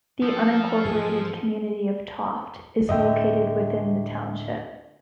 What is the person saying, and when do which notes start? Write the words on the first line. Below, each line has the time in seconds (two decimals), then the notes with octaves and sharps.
The unincorporated community of Tofte is located within the township.
0.22 F3 A4
0.85 G#2 E3 G#3 G#4
2.89 D2 A2 D3 D#5 E5 G5